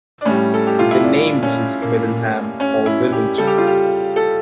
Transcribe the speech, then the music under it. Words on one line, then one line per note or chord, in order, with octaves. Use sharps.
The name means "middle "ham" or village".
D4
A2 G3 C#4
A4
G4
F4
E4
D4
C#4
A#3
C#4
E4
G4
C#3 G3 A4
G4
F4
G4
A4